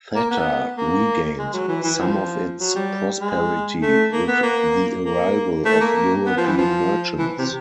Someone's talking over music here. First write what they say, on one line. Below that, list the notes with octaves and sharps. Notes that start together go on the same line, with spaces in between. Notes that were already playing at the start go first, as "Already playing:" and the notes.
Thatta regained some of its prosperity with the arrival of European merchants.
A#3
B3
A#3
G#3
F#3
E3
E3
F3
F#3
G3
G#3
A3
A#3
B3
A#3
A#3
A3
A#3
B3
F3
E3
F3
E3
C3